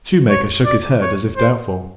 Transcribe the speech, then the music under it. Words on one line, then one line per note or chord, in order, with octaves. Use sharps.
The shoemaker shook his head as if doubtful.
C#5
D5
C#5
C5